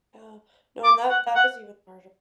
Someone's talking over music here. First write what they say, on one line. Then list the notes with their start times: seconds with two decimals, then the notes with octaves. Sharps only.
Yeah. No, and that that is even harder.
0.84 D6
1.09 F#5
1.35 F#5